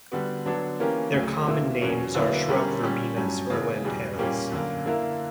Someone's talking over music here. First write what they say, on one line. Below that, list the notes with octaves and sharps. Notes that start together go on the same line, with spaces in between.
Their common names are shrub verbenas or lantanas.
D3 G3 B3 F#4
D3 F#3 B3 D4
E3 A#3 C#4 G4 A#4
D2 C#3 F#3
B2 A#3 E4
E2 B2 F#3 C#4
D3 F#3 A#3 E4 B4
D3 G3 C#4 G4 A#4
A#2 G3 C#4
G2 F#3 C#4
C#3 E3 B3
E2 B2 G3
A#2 G3 A#3 C#4 G4
F#2 D3 A#3
D3 A#3 E4 A#4